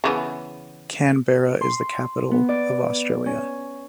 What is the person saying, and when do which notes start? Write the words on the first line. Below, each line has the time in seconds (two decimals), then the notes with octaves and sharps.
Canberra is the capital of Australia.
0.04 C#3 E3 B3
1.61 C6
2.31 B3
2.49 D5
3.26 C#4